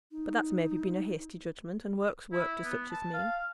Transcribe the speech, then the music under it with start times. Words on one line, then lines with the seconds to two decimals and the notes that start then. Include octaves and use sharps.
But that's maybe been a hasty judgment; and work's work to such as me.
0.11 D#4
2.32 E4
2.64 B3
2.91 A5
3.14 F5